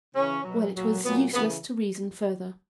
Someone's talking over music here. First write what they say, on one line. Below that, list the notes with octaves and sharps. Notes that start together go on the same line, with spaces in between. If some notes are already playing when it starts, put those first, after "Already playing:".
Well, it was useless to reason further.
C#3 E3 C#4
B2 F#3
A#2 F#3
A#2 F#3 B3
C#3 E3 B3